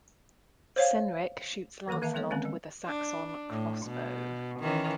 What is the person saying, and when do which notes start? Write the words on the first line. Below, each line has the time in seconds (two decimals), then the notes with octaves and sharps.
Cynric shoots Lancelot with a Saxon crossbow.
0.76 C5 C#5 F5
1.88 D#3 E3 A#3 A4 D6
2.02 D#3 A#3 E5 F5 A5
2.14 F3 G#3 B3 A4 C#5 D#5
2.30 D3 D#3 G#3 A#3 C4 C#4
2.45 G3
2.86 D4
3.50 A2
3.85 B2
4.60 D#3 E3 C#4